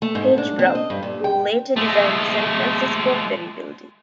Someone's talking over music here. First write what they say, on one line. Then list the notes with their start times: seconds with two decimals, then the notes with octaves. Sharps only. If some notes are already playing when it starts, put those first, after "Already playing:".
Page Brown, who later designed the San Francisco Ferry Building.
0.02 A3
0.15 G#2
0.38 D4
0.59 C4
0.75 D#5
0.90 G2
1.03 A#2
1.24 G5
1.76 G#3 A3